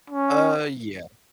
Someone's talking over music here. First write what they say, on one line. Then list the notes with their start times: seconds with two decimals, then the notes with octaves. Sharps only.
Uh, yes.
0.10 C#4